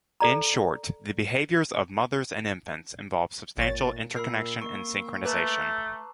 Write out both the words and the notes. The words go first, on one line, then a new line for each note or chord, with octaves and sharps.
In short, the behaviors of mothers and infants involve substantial interconnection and synchronization.
A4 D5 A#5
G#1 A#2 C#5 A6
A#2 A#4 B5 E6 C7
A#3 C#6
A3 B4 A5 A#5 D6 F#6